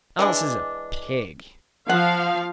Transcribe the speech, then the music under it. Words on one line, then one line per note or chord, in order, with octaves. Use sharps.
Alice is a pig.
E3 G#3 D4
F3 F5 F#5